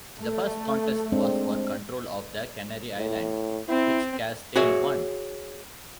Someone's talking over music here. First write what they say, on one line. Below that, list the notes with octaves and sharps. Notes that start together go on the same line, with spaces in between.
The first contest was for control of the Canary Islands, which Castile won.
A3
G#3 C4 D4
A2
C4 E4
F#4 G#4 C#5 E5